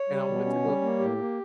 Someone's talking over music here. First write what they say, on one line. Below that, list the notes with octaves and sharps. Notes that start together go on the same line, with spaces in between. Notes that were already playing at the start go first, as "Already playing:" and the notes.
and I went to go
Already playing: C#5
G3
B2
C#4
G3
A#3
A2 G4
A#3